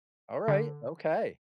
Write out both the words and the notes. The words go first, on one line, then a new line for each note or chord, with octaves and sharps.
Alright, okay.
D3